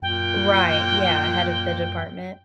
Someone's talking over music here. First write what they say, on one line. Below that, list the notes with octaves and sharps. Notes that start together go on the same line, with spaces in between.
Right, yeah, head of the department.
F#2 A#2 G5